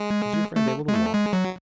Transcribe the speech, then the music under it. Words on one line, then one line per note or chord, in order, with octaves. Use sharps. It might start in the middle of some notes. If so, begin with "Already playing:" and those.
"Is your friend able to walk?"
Already playing: G#3
A3
G#3
A3
G#3
F#3